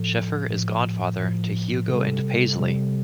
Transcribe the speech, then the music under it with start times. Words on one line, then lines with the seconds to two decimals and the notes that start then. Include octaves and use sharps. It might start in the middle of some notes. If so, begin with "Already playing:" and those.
Sheffer is godfather to Hugo and Paisley.
Already playing: A2 F3 A4
0.49 A2 F3
1.19 A2 F3
1.89 C3 G3 A4
2.60 C3 G3